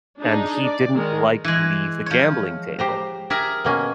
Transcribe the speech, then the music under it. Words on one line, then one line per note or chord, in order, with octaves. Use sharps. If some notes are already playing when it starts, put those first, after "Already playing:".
And he didn't like to leave the gambling table.
D4 D#4 G#4
D5
D#3 G#3 A#4
E3 G#3
F3 C#5
G4 C5 A#5
G4 G#4 A#4 E5
B2 A#3 C#4